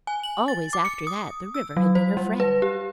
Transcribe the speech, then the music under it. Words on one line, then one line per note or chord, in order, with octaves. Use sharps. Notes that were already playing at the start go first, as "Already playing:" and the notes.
Always after that the river had been her friend.
G#5
F#7
A6
D6
C#7
D#6
E6
F#3
C5
G3
B4
G4